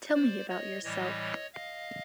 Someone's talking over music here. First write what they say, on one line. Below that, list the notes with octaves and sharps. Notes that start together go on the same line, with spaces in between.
Tell me about yourself.
C5 D5
C#5 D#5
A2 E3 G3 C#5 D#5
D#5 F5